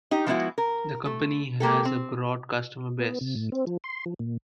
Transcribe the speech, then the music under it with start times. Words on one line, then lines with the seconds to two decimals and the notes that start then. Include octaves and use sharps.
The company has a broad customer base.
0.11 D#4 G4
0.26 F3 G#3 B3 D#4 E4 F#4
0.58 A#4
1.06 A3
1.60 G#3 A#3 G4 A4
1.85 C4
2.99 B3
3.21 C3
3.35 A2
3.52 C4
3.67 F3
3.84 C6
4.06 F3
4.19 A#2